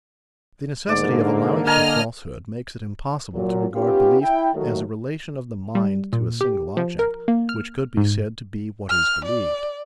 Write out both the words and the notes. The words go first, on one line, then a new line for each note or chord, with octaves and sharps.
The necessity of allowing for falsehood makes it impossible to regard belief as a relation of the mind to a single object, which could be said to be what is believed.
G#2 D3 A#3 D5
A#4 D#5 G#5 A5 F6
A#2 F#3
B3 C#4 D#4 F4 G4
E4 G5
D#2 D#3 F#3 A3
G3
A#2
G4
F3
A#4
A#3
F6
G#2
F6
D5